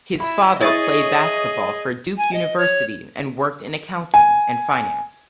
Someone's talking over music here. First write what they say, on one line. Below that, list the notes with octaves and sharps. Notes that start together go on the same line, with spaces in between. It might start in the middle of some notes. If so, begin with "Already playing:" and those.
His father played basketball for Duke University and worked in accounting and finance.
E4 B5
E4 G#4 C#5 D#5 E5 C#6 A6 D#7
G#5
D#5
C#5
G#5